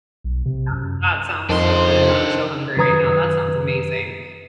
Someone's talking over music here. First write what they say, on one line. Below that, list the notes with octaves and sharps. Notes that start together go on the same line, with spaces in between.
yeah, that sounds so good, I'm so hungry right now, that sounds amazing.
B1
C3
F#2
F2 D#3 D4 C5 C6
F#2 D#3 B4 A#5 D#6 G#6